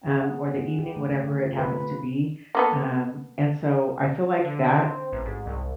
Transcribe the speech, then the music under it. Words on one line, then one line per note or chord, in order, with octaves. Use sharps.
um, or the evening, whatever it happens to be. Um, and so, I feel like that
G#4
F#5
G4
A3
D3
F4
B4
A3
A#3 B3 A4
D3
C4
A1
G#2
C2